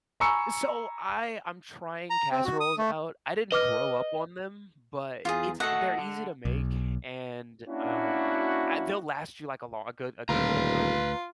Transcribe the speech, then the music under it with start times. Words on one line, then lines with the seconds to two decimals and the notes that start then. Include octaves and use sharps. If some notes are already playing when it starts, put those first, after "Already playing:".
So, I, I'm trying casseroles out. I didn't grow up on them, but it's they're easy to make, and um I they'll last you like a lon a good, a good bit of time,
0.20 G#5 A#5 B5 C#6 E6 C#7
2.10 A#5
2.32 C4
2.45 F#4
2.60 D#6
2.78 A3
3.52 B4 D#5 D6 F6
5.25 E2 F4 G4 G#4
5.60 A3 F#4 A4 D#5 F#5
5.98 D3
6.45 B1
7.69 A#3 C#4 D4 E4 F#4
10.29 D#1 D2 F4 B4 A#5